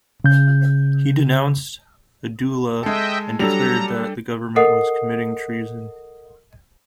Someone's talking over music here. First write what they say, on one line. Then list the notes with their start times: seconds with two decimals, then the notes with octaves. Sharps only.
He denounced Adoula and declared that the government was committing treason.
0.24 C#3 G6
2.83 G#3 A4 D#5 E5 G5
3.39 F#3 G3 D4 A4 A#5 F7
4.56 A4 A#4 D#5 F#5 D#6 C7